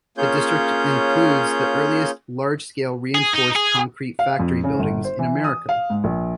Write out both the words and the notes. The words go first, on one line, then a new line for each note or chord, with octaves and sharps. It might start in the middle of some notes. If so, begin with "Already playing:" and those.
The district includes the earliest large-scale reinforced concrete factory buildings in America.
A#3 C#4 F4 G#4 C#5 G6
G#4
D#4
G#4
F5
F2
C#3
G1
C5
E3
D#6
F5
G#2
A#1